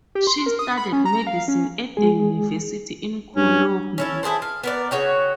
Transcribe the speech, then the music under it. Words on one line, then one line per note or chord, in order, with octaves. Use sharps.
She studied medicine at the university in Cologne.
G4
C6
A#4
D#6
B5
C#4
A#5
F5
C#4
G#3 G#4
G2 C#4
C#4 E4 A4
E4 G#4 A4 C5
F5
B3 A#4 D5
C#3 F#4 C#5 G5